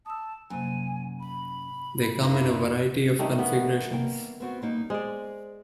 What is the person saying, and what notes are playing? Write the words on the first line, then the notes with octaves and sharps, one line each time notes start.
They come in a variety of configurations.
A5 D#6 E6
F#2 C3 A#3 G#5
B5
F#2 A#3 D#4 E4 D6
D#3 G3 A3
A3 B3
A#3 G5
B3 C4 F#4
G3 A#3 D#4
G#3 C5 D5